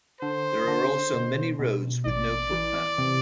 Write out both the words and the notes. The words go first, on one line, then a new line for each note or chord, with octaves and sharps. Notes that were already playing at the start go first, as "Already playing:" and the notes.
There are also many roads with no footpath.
D3 C5
D3
B2
B2
A1 D5
E3
C3